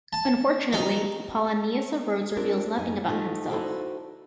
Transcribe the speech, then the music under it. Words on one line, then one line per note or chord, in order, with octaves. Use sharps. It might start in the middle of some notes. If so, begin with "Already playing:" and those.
Unfortunately, Apollonius of Rhodes reveals nothing about himself.
A5
F#3 D#4
C4 D4 F4 A#4
F#2 D#4 G#5
F3 A3 D#4 F4
D#4 E4 F#4 A4 C5 D5